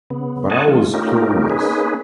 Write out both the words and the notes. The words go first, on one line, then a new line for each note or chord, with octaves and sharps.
But I was clueless.
C#3 B3
D#5 F#5 G#5 A5
E3 G#3 F4
A3 C#4 D#4 F4 G4 A#4
A#3 C#4 D#4 G#4 B4